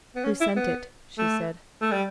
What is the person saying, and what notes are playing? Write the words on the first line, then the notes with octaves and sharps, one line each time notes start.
"Who sent it?" she said.
B3
C#4
E4
B3
A3
A3
G3